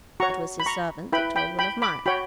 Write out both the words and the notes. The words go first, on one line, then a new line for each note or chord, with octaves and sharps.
It was his servant that told one of mine.
F#4 C#5 A#5 C#6
B5
A#5 C#6
E4 B4 G5 B5
G5 B5
G5 B5
B5 D6
F#4 C#5 G5 B5